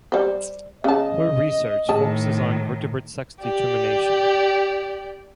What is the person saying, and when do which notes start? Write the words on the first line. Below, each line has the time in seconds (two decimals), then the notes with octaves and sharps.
Her research focuses on vertebrate sex determination.
0.12 G3 C5
0.84 C#3 D#5 A5
1.89 A2 D#3 G#4 A5
3.41 G4 D5